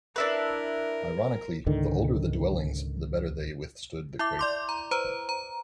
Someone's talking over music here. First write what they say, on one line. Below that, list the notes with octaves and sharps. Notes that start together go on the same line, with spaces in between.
Ironically, the older the dwellings, the better they withstood the quake.
D4 E4 A#4 B4
C#2 G#2 D3 D#3
E4 E5 D6
D5 C6 D6
A#5
B4 C5 A#5
A#5